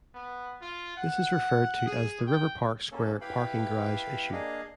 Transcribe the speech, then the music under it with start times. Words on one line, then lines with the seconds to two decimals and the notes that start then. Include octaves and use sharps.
This is referred to as the "River Park Square Parking Garage" issue.
0.14 B3
0.62 F4
0.97 F#5
1.86 G#4
2.27 G5
2.91 A#3 C#4 A4
3.21 E4 G4 B4 F5 G5 B5
4.32 A#3 D4 G#4 D#5 F5